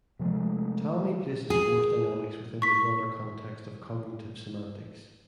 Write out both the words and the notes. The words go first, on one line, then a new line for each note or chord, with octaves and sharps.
Talmy places force dynamics within the broader context of cognitive semantics.
C3 F3 G#3 A3
G#4
C#6 B6